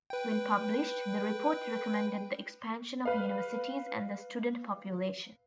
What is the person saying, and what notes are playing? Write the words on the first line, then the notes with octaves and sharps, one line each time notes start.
When published, the report recommended the expansion of universities and the student population.
B4 G5
B4 F5